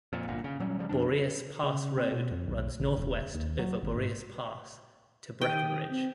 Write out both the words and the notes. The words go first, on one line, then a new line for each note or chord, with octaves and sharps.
Boreas Pass Road runs northwest over Boreas Pass to Breckenridge.
F2 A#2
G1 A#2
C#3
A#2 F#3 G3 C#4
C#3 F3 G3
F2 F3 D4
C#3
C4
B2
F2
B1
A1
E1
D#2
F#3
G#1
G#2
D#3 G4 G5 D#6
C4